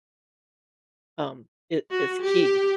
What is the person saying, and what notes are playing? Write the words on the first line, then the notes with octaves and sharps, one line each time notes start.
um, i is key.
F#4
G4